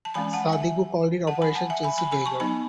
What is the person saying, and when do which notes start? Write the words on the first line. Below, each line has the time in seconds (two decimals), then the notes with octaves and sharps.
Sadiku called it Operation Chelsea Dagger.
0.05 A5
0.14 E3 G#3 C#4 G#5 B5
0.33 F#5 A5
0.53 E5 G#5
1.27 F#5 A5
1.42 G#5 B5
1.55 F#5 A5
1.70 E5 G#5
1.83 G#5 B5
1.98 G#5 B5
2.12 G#5 B5
2.26 A5 C#6
2.40 F#3 B3 D#4 G#5 B5